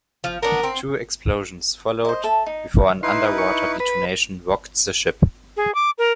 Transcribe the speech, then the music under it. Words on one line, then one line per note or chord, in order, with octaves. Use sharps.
Two explosions followed, before an underwater detonation rocked the ship.
F3
B3 D4 A#4
C4
C5 D#5
A4 E5
D#4
D#4 E4 B4 C6
C#6
B4
G#4
D6
A#4